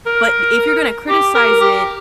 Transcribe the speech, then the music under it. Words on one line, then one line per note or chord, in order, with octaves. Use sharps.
but if you're gonna criticize it,
A#4
G4
A#4
G4